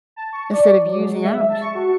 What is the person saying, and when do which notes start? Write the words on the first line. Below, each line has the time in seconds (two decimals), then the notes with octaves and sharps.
instead of using ours,
0.16 A5
0.33 C#6
0.53 D5
0.85 F#3
1.00 G#3
1.25 E5
1.50 A5
1.61 C#6
1.75 F#4